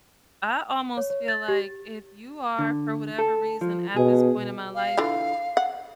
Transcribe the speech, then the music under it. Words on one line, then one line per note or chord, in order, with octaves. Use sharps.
I almost feel like if you are, for whatever reason, at this point in my life
C#5
C#5
A6
G4
D3
A4
F3
B2 G#4
F5
D3 E3 F4
F#5